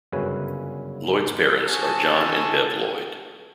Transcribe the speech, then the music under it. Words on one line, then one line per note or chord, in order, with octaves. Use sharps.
Lloyd's parents are John and Bev Lloyd.
G1 F#2 C#3 C#4 B4 G#5
C#4 F#4 G#4 A4 A5